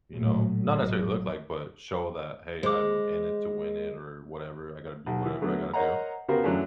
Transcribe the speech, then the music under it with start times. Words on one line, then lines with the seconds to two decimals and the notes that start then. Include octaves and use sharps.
you know? Not necessarily look like, but show that, "Hey, I'm in it to win it or whatever. I gotta do whatever I gotta do."
0.14 A#1 A2 F#3 A3
0.78 G#1 A2 F#3
2.63 G#3 C5 D6
5.06 B1
5.25 E3
5.41 D3 F#3 A3 B3
5.73 A#4 C5 C#5 D#5 F#5 A#5
6.28 C#3 B3 F#4 G4 A#4 C5
6.44 F#2 E3 F#3 A3 C#4 D4